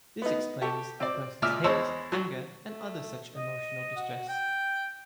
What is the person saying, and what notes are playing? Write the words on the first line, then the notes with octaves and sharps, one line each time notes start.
This explains a person's hate, anger and other such emotional distress.
B3 D#4
G4 A4 C#6
C4 D5
C#2 A#2 E5 D6 E6 F6
E2 G#3 C5 C#5 E6
F#3
A3
D#5
F#4
G5